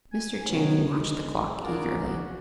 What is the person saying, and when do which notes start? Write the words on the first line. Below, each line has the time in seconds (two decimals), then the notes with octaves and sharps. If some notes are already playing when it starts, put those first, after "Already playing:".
Mr. Channing watched the clock eagerly.
0.12 G#5
0.46 C3 D#3 F#3 B3 C#4
0.92 G#3
1.62 D4 F4 F#4 G#4 A#4 D5
2.02 F#4